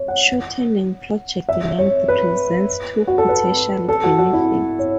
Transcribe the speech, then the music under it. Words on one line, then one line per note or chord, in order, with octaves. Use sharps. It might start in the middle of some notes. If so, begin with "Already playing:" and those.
Shortening project length presents two potential benefits.
Already playing: C#5
F#5
E5
C#5
B4
F#4
A4
B4
A4
F#4
F#4
E4
C#5